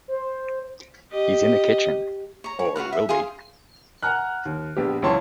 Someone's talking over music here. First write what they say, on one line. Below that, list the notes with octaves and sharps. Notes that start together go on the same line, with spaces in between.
He's in the kitchen — or will be.
C5
G4 D#5
C#5 A#5
C#5
F#4 B4 F5 F#5
E5
G#4 F5 C6
F#5 G#5 A#5 F6 F#6
D#2
A#1 B3 G4
C#2 F#2 E3 C#5 A5 C6